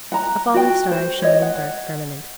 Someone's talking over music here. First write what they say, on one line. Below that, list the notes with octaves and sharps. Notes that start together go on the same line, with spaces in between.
A falling star shone in the dark firmament.
F#5 A#5
F#4 G5
C5
C#5 D#5
F#5